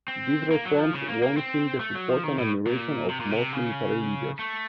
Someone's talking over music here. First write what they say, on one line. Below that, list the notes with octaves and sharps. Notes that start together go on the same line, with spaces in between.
These reforms won him the support and admiration of most military leaders.
C4
A#3
F#3
F3
C#3
A#3
A#3
C4
A3
F#3
F3
D#3
A2
A#2
C3
A#2
C3
C#3
A3